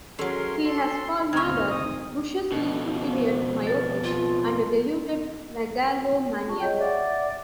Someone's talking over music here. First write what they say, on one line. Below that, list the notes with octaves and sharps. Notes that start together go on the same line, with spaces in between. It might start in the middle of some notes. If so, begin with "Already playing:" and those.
He has called Nader "Bush's Useful Idiot," myopic, and a deluded megalomaniac.
F#3 A3 C#4 A#4 C6
A4 C6
D2 C4 D#4 G#5 C#6 F6 G#6
D#6
F2 B2 C#4 A4 D#5
B3 C5
B4 A6
F4
F4 A5 C#6
G#4 C#5 D#5 G5
D5 E5 F#5